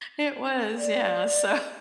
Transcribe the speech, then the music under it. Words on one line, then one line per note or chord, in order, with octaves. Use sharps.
it was, yeah, so,
D5